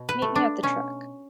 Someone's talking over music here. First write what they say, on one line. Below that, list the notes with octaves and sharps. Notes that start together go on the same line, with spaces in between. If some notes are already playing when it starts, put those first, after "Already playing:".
Meet me at the truck.
Already playing: B2
B4
A3
D4
B2 C#4